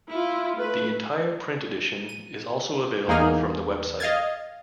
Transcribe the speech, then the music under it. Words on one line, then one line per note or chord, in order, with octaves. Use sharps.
The entire print edition is also available from the website.
E4 F4
A3 B4
D#7
E2 A#3 D#4 G#4 F6
D#5 F5 F6 G#6 A6